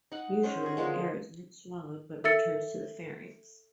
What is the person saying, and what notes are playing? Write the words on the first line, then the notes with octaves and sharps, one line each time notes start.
Usually, air is not swallowed but returns to the pharynx.
D#4 F#5
G#3 C#4 C5
F#4 G#4
D3 F3 G#3 A#3
A4 E5 E6 A6 C#7